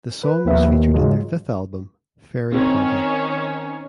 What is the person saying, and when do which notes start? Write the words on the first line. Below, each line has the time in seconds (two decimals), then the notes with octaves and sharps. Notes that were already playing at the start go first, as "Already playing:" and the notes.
The song was featured in their fifth album "Fairy Party".
0.24 B4
0.45 D#2 F3 B3 B4 E5
0.64 D#2
0.94 G#2 C#3 E3 F#3 G#3 F4
2.52 D#3 C4 C#4 C#5